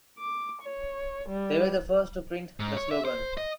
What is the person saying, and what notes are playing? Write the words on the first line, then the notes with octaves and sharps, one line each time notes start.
They were the first to print the slogan.
D6
C#5
G3
G#2
C#5
E5
C5
D#5